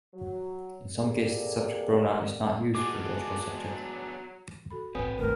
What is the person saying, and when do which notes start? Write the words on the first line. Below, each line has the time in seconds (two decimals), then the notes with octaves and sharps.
In some cases, the subject pronoun is not used for the logical subject.
0.14 F#3
0.97 C3 A#3 G#4 A4 D5
2.75 G#3 B3 D4 F#4 G#4 D6
3.67 F#3
4.71 F#4 A4 B5
4.95 A1 A2 C4 B4 C#5 G#5 D#6
5.19 A#1 G#2 D#3 A3 A#4